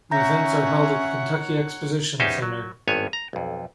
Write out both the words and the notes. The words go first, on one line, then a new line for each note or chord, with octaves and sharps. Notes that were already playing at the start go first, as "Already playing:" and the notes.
The events are held at the Kentucky Exposition Center.
C#4 C#5 E5 F#5 A#5 G6 A#6
E2 C#4 D#4 G4 C5
F#3
G#1 G2 B3 C#5 G#5
A#5
B1 F2